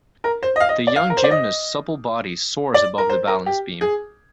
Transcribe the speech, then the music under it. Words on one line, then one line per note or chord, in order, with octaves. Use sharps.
The young gymnast 's supple body soars above the balance beam.
A#4
C5
D#5
F5
D#5
D5
F5
A#4
C5
D5
D#5
D5
A#4
C5
A#4
G4
G#4